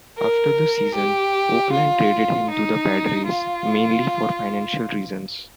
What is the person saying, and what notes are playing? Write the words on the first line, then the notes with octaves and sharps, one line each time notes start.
After the season, Oakland traded him to the Padres, mainly for financial reasons.
A#4
G4
F4
D#4
F4